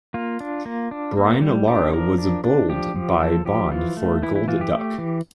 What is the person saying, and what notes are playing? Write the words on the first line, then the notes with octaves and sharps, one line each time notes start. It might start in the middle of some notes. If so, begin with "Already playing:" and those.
Brian Lara was bowled by Bond for a golden duck.
A#3 F4
D4
A#3
D4
A#3
G3
D4 G4
F3 A#4
D4
D4
F3 G4
F3
F3 A4
F3 G4
E3 F4
A3
E3 E4
E4
E3 F4
G4
A3
E3